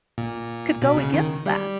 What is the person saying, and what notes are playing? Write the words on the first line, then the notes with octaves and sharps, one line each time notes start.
could go against that?
A#2
B2
C#3
D#3
G3